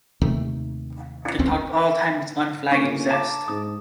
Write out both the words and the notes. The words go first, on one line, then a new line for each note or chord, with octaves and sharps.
They talked all the time with unflagging zest.
D#2 C3 D#3 A3
G1 D2 C4 C#4
G1 A#3 C#4 D4 C#6
A5 A#5 D6
G#2 D#6